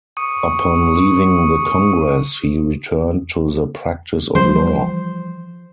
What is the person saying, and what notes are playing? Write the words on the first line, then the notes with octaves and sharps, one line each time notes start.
Upon leaving the Congress, he returned to the practice of law.
C#6 D#6
E3 F3 G3 C5